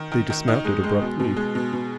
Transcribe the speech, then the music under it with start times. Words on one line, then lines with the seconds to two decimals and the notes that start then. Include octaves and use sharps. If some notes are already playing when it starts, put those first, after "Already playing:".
They dismounted abruptly.
Already playing: D#3
0.12 D#3
0.30 D#3
0.48 D#4
0.65 G#3
0.84 G#3
1.02 B2
1.20 B2
1.37 G#3
1.55 B2
1.73 B2